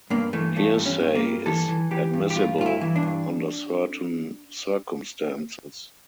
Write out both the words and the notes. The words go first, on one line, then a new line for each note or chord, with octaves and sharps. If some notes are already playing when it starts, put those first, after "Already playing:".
Hearsay is admissible under certain circumstances.
G2 A#3
E3 A3
G2 A3
G2
C#4
G2
A#3
G2
E3 A4
E3
E3 G4
G2
G4
G2 F4
G2 F4
E4
E3
D4
G2